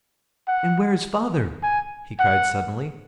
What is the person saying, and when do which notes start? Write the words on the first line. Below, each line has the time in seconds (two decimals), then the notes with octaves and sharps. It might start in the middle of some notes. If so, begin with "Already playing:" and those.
"And where is Father?" he cried suddenly.
0.48 F#5
1.63 G#5
2.19 F#5